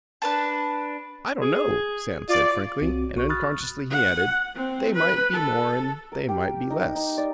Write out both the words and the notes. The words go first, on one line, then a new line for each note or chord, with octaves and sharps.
"I don't know," Sam said frankly, and, unconsciously, he added, "They might be more and they might be less."
D4 B4 A5
G#4
F4 D5
C2 C4 F#4 C#5
B1 F#4 C#6
B5 C#6 D#6 F6 F#6 A6
F#5
C4
B4
A4
A#4
G4
D#4
D#4
D5